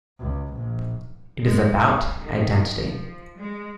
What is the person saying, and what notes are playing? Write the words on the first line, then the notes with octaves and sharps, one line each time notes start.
It is about identity.
C#2
A#1
G#3
G3
D#3
F3
G#3